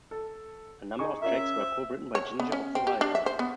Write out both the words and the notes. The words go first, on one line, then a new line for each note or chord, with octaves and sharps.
A number of tracks were co-written by Ginger of The Wildhearts.
A4
D#4 G#4 C#6
C#4 F4 A#4 E5
C5
C#5
B3
C#4
C4
G4
D4
E5
C5
B3